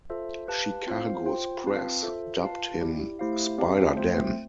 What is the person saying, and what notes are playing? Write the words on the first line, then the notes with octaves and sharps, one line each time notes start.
Chicago's press dubbed him "SpiderDan".
F4 A4 C5 E5
G4 B4 F5 A5
C4 F4 C5 F5
F4 C5 G5
C4 F4 B4 F5 A5
F4 A4 C5 E5
F4 B4 F5 A5
E4 G4 D5
A3 E4 G4 C5 F5
C4 G4 D5 F5 A5
A3 C4 F4 C5 E5